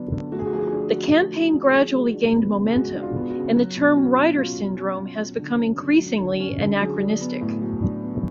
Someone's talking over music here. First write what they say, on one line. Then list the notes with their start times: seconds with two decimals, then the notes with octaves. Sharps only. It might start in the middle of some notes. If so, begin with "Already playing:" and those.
The campaign gradually gained momentum, and the term "Reiter's syndrome" has become increasingly anachronistic.
Already playing: D3 F#3 B3 D4
0.12 D3
0.32 A3 F#4
0.39 G#4
0.46 F#4
0.53 F3 G#4
0.60 F#4
0.67 G#4
0.73 D4 F#4
0.81 G#4
0.89 F#4
0.93 F3
1.12 A3 F#4
1.33 F3
1.40 F#4
1.53 D4
1.67 G#4
1.74 F3
1.94 G#3 F#4
2.14 D4
2.35 B3
2.55 C#3
2.67 G#4
2.76 G#3 F#4
2.95 D4 F#4
3.02 F4
3.16 B3
3.30 F#4
3.35 C#3
3.56 F#3 F#4
3.76 B2
3.96 C#4 F#4
4.18 B2
4.37 F#3 F4
4.57 B2
4.77 C#4
4.98 B2
5.18 F#3
5.38 D3
5.58 C#4
5.79 D3
5.99 F#3
6.20 D3
6.40 C#4
6.60 D3
6.80 F#3 G#4
7.00 D4
7.21 B3
7.41 A2
7.62 F#3
7.82 D4
8.02 B3